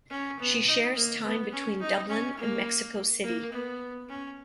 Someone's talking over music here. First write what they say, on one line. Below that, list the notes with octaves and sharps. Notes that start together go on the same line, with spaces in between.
She shares time between Dublin and Mexico City.
C#4
B3
D#4
A#3
B3
C#4
D#4
C#4
A#3
A#3
B3
C#4